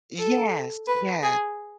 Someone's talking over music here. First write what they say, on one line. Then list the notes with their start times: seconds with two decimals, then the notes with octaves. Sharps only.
Yes. Yeah.
0.19 A4
0.87 B4
1.23 G#4